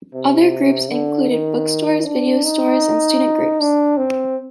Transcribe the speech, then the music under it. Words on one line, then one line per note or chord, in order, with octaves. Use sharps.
Other groups included bookstores, video stores and student groups.
C3
D3
D#3
D4
D#4
D4
C4